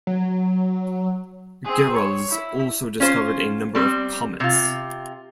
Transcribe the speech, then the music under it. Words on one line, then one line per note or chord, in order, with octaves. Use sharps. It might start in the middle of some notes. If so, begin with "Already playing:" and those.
Gehrels also discovered a number of comets.
F#3
C4 G#4
C#5
E4
C#4 F4 C5
G3 C4
C3 F4